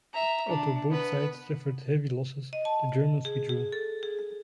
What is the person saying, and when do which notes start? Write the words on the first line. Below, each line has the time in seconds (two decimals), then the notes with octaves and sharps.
Although both sides suffered heavy losses, the Germans withdrew.
0.14 E5 A#5
0.48 D4
0.90 B3 B4
2.53 D#5
2.65 A5
3.25 G#4
3.49 G#4
3.72 A4
4.03 G#4